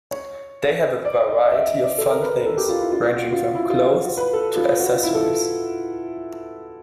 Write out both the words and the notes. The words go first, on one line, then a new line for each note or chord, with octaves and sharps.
They have a variety of fun things, ranging from clothes to accessories.
C#5
D5
D#5
D#5
E5
D#5
D5
A4
A#4
B4
A#4
A4
G4
F4
E4
F4
F#4
F4
F#4
E4
F4
F4
F#4
B4
A4
F4
F#4
F4
E4
A4